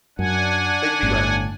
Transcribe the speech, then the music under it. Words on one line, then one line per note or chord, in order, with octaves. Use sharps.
They'd be like
F#2 D4 F#5 G#5
G1 A2